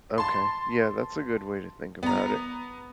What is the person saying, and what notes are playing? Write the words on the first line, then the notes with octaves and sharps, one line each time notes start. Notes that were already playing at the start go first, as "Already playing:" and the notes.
Okay, yeah, that's a good way to think about it.
A5 C6
B3 A#5